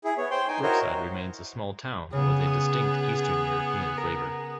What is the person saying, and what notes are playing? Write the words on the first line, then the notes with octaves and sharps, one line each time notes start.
Brookside remains a small town with a distinct Eastern European flavor.
E4 G#4
B3 C#5
C5 G5 C6
D#4 G5 G#5
E4 F#4 A#4 C5 C#5 D#5
C#3 B3 G#4
D#6
A#4